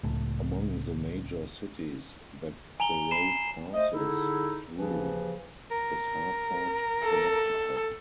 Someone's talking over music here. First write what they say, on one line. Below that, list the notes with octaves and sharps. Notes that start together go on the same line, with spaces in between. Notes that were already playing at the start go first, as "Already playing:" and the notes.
Among the major cities that the road passes through is Hartford, Connecticut.
C#2 A2
G#5 A#5 F7 G7
B5 C7 E7
A3 C5 D#5
D3 D#4 E4 G#4 A4
D#2 C#3 E3 F3
A#4
A4